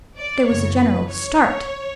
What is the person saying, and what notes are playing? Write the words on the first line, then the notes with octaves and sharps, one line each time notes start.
There was a general start.
D5
F#2 C#3 E3 C#5
B4
C#5